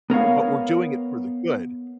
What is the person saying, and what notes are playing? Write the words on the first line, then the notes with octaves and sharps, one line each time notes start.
but we're doing it for the good.
B3 A#4 C#5 F5